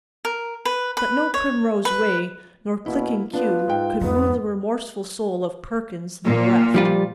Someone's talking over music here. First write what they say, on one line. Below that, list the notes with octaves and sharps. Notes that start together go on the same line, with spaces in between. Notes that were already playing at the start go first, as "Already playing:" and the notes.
But no primrose way nor clicking cue could woo the remorseful soul of Perkins the bereft.
A#4
B4
B4
C#5
B4
B2 A#3 E4
B3 D4 F4 B4
G#2 G5
F2 G#2 B3
A#2
F3 G3 F4